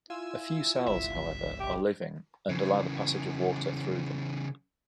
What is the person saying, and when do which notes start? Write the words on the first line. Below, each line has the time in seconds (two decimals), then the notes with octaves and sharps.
A few cells, however, are living and allow the passage of water through them.
0.10 E4 F4 G#5 E6
0.87 G1 C2 E5
1.60 G4
2.50 C#3 E3